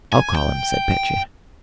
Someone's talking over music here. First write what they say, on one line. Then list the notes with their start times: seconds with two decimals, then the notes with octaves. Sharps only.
"I'll call him," said Petya.
0.13 G#5
0.35 G5